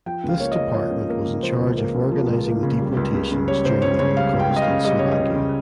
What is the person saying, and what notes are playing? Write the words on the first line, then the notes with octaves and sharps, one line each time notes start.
This department was in charge of organizing the deportations during the Holocaust in Slovakia.
F3 G5
C#2 F5
A#3 C#5
D#5
C#3
F3 C#5
C#2
A#3
C#3
F3 C5
C#2
A#3
C#3
F3
C#2
A#3
C#3
G3
C#2
C#2
C#3
G3 C#5
C#2 C5
C#2 C#5
C#3 C#5
G3 F5
C#2
G5
C#2
D#5
F5
C#3
G3 D#5
C#2 C#5
D#5
C#2
C#3